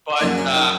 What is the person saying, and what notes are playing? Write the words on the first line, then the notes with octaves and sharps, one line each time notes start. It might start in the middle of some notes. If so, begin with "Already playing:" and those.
But, uh
F#2 C#3 F#3 A#3 D#4
C#4
D#4